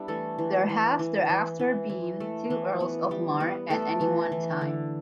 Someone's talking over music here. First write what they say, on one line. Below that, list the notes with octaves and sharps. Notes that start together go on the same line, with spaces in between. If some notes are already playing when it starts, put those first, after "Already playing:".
There have thereafter been two earls of Mar at any one time.
Already playing: G3 B3 D4 E4
E3 A3 A4
E3
E3
E3
E3
E3
E3
A3
E3
B3
G3
B3
A3 B3 A4
E3
E3
D3